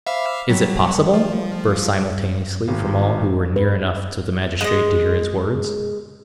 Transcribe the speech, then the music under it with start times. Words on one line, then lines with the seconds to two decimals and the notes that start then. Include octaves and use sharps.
"Is it possible?" burst simultaneously from all who were near enough to the magistrate to hear his words.
0.06 C5 E5 F5 B5 D6
0.50 F#3 G3
1.14 F3
2.68 G#1
3.56 B4
4.61 G#3 D#5